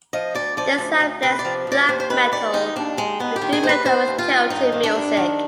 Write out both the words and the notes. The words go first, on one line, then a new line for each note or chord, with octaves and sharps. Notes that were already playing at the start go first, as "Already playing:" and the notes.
Their sound blends black metal and doom metal with Celtic music.
F3 D#5
D2 D5
F3 D5
D2
D2
C3 B4
D5
F3
D2 D5
D#2 C5
C5
D#3 B4
D#2 D5
D#3 D#4
D#2 D4
D#3 G#3
D#2 B3
G4
D#3
G#4
D#2 C5
B4
D#3 C5
D#2
F4
D#3
G2 D#4
D#3
D4
G2
D#3